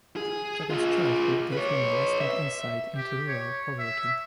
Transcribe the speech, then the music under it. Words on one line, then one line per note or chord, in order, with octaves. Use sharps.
Jagan's childhood gave him a lasting insight into rural poverty.
G#4
F4 G#4
B4 C#5
E5
G4
C#5
E5